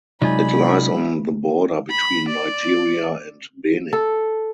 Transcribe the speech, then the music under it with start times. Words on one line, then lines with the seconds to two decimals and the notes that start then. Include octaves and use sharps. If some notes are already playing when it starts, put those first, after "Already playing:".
It lies on the border between Nigeria and Benin.
0.22 C3 F#3 G#3 D#4 F4 D5 G#5 B5
1.91 B5
2.29 D5
3.93 A4